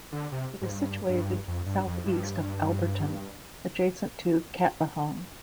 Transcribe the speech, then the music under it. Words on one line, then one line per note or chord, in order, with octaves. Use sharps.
It is situated south east of Alberton, adjacent to Katlehong.
D3
C3
G#2
G2
G2
F2
G2
F2
G2